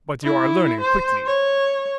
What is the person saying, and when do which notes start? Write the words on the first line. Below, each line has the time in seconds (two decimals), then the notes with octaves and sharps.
"But you are learning quickly."
0.23 E4
0.81 C5
1.26 C#5